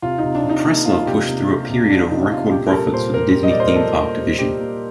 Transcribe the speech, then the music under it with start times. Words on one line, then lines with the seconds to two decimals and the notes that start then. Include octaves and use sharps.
Pressler pushed through a period of record profits for the Disney theme park division.
0.02 C3 F4
0.18 D#4
0.23 C3
0.35 D4
0.44 C3
0.49 D#4
0.65 A#3 D#4
0.85 A#3 F4
1.06 C3 G4
1.27 C3
1.48 C3
1.69 C3
1.90 C3 D4
2.10 C3 D#4
2.31 C3 F4
2.51 A#2 G4
2.66 A#4
2.72 G3 A4
2.93 A#2 C5
3.14 A#2 A#4
3.35 G3
3.43 D#5
3.51 D5
3.55 A#2 C5
3.67 A#4
3.76 A#2 A4
3.97 A#2
4.17 G3
4.39 G3 G4
4.60 A#3